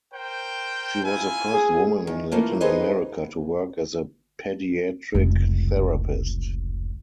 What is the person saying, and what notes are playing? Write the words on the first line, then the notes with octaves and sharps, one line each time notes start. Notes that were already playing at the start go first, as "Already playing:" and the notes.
She was the first woman in Latin America to work as a pediatric therapist.
A#4 C5 G5
E4 F4 G#5
G#4
D#3
E3 A3 A#3 F4
D#4 G#4 B4 C5 D#5
F1 C#2